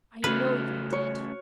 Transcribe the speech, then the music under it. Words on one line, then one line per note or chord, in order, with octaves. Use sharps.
"I know you did."
C#3 A3 F#4 B4 F6 F#6
C#5